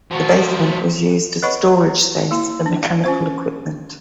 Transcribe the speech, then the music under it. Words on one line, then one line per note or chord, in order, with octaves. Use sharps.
The basement was used as storage space for mechanical equipment.
F3 F#4
B4 C#5 D#5 F#5 B5 C#6
A#3 E4
D4
C#4 F4 C5